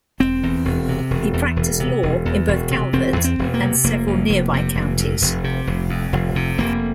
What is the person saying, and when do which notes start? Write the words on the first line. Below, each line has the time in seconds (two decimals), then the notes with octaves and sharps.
He practiced law in both Calvert and several nearby counties.
0.20 E1 C4
0.43 E2
0.65 E1
0.89 C3
1.11 E1
1.33 E2
1.56 E1
1.80 C3
2.03 E1
2.26 E2
2.48 E1
2.71 C3
2.93 E1 C4
3.16 E2
3.24 C4
3.39 E1
3.54 A#3
3.62 C3
3.84 F1 A#3
4.07 F2
4.30 F1
4.53 C3
4.75 F1
4.99 F2
5.21 F1
5.44 C3
5.67 F1
5.90 F2
6.13 F1
6.36 C3
6.58 F1 A#3